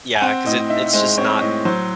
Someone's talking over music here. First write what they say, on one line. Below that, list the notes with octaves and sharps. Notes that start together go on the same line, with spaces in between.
Yeah, 'cause it it's just not
G#5
C4 F#5
A2 D#5
D#4 E5
G#3 C5
C4 C#5
A2 D#5
F#3 C5